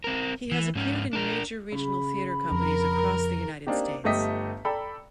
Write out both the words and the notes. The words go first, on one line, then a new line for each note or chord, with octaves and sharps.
He has appeared in major regional theater companies across the United States.
C4 A#4
E3
G#2 C#4
D4 A#4
C#3 B5
F2 A#4
A#3 C4 D4 D#4 G4
G1 G3 A3 G4 D#5 B6
A4 D5 G5 A#5 B5 E6